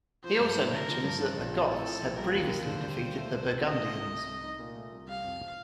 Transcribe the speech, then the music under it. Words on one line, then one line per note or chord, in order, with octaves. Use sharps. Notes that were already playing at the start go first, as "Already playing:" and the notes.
He also mentions that the Goths had previously defeated the Burgundians.
F3 C5
G2
A3
D3 A#4
F3
G2
F3 A4
A#1
C4
A2 A4
F3
A#1
G3 A#4
D#2
D#2
D3 C5
G3
D#2
A3
C2
C4
A#2 D#5
A3
C2
A3
C2
D#4
A#2
A3
C2
G3 F5
F2